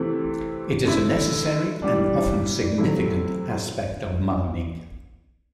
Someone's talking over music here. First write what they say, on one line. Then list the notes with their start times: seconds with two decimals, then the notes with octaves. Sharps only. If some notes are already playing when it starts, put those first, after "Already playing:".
It is a necessary, and often significant, aspect of mining.
Already playing: C3 E3 A3
0.85 D3 A3 E4
1.82 E3 G3 D4
2.78 C3 F#3 A3 E4